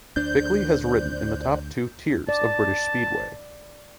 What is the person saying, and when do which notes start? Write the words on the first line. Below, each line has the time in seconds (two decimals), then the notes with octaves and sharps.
Bickley has ridden in the top two tiers of British Speedway.
0.16 D2 D4 C5 D5 F#6 G6
2.29 D5 A5